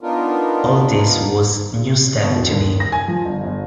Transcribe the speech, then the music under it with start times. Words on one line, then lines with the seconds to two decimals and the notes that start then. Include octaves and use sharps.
All this was new stuff to me.
0.01 B3 D4 D#4 F4 A#4
2.23 B2
2.36 E1
2.51 D#2
2.80 A#6
2.92 G#5
3.08 F3
3.25 G1
3.44 G1